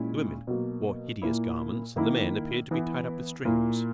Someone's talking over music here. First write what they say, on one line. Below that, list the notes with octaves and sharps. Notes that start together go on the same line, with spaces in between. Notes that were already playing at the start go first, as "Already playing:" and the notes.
The women wore hideous garments, and the men appeared to be tied up with strings.
Already playing: A#2 G#3 C#4 E4
B2 F#3 A#3
A#2 A#3 E4
D#3 A#3 E4
E3 B3 E4
A#2 A#3 E4